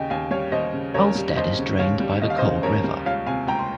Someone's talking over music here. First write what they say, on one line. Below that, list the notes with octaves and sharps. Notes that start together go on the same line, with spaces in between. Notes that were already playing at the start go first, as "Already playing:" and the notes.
Alstead is drained by the Cold River.
Already playing: D#2 C#3 D#5 G5 G#5
D#2 F5 G#5
G3 C#5 F5
D#2 C5 D#5
C#3
D#2 A#4 C#5
G3
D#2 C5 D#5
C#3
D#2 C#5 F5
G3
D#2 D#5
F5
C5 D#5
C#3
D#2 A#4 C#5
G3
C#2 C#5 F5
C3 F5 G#5
C#2 G5 A#5
C6